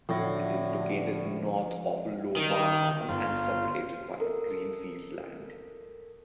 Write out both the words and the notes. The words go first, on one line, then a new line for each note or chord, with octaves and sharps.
It is located north of Low Marnham and separated by greenfield land.
A2 D3 F3 C#4 F#4
D#3
G1 F4
A4 A#4